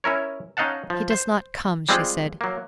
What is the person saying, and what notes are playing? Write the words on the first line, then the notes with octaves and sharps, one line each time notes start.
"He does not come," she said.
C#4 E4 A#4 C#5
C#4 D#4 D#5 F5 F#5 A5
F3
C5
G3 G#3 C4 F4 G#4
F#3 A#3